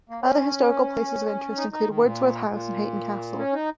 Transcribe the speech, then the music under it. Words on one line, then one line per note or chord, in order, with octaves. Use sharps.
Other historical places of interest include Wordsworth House and Hayton Castle.
A#3
C#4
D#4
D#4
D#3
C#3
A#2
A#2
C#4
D#4